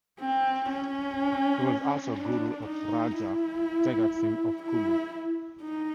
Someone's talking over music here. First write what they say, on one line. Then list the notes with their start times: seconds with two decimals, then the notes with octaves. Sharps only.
He was also guru of Raja Jagat Singh of Kullu.
0.19 C4
0.69 C#4
2.17 D4
2.66 D#4
3.16 E4
4.63 E4
5.62 D#4